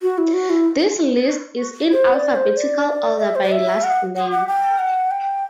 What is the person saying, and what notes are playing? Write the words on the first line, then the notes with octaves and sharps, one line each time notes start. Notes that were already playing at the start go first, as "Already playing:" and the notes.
This list is in alphabetical order by last name.
F#4
E4
F#4
E4
C5
D5
C5
D5
E5
C5
D5
E5
F#5
F#5
F#5
G5
F#5
G5